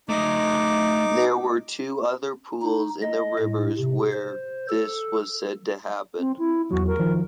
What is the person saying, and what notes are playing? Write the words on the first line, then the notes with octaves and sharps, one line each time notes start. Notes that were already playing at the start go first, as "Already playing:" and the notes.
There were two other pools in the rivers where this was said to happen.
A3 D#4 D#5 D6
D#4
D#5
A2
C3
C5
A4
C4
E4
E2 F#3 F#4
A#4
D#3 F3